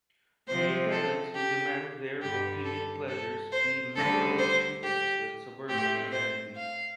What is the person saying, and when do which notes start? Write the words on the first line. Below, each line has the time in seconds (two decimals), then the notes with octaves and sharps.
New tenants who demand their bohemian pleasures be liberally sweetened with suburban amenities.
0.47 C3 F3 C4 C5
0.90 A4
1.35 G4
2.21 G2 D3 G3 G4
2.65 A4
3.07 A4
3.51 C5
3.95 D2 D3 G3 A4
4.38 C5
4.82 G4
5.68 A2 A3 C4 G4
6.12 C5
6.55 F5